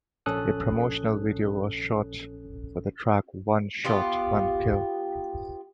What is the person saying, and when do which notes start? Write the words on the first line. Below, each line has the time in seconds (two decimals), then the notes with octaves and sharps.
A promotional video was shot for the track "One Shot, One Kill".
0.26 A#1 C#4 A4 D#6 F#6
3.85 B3 F4 G4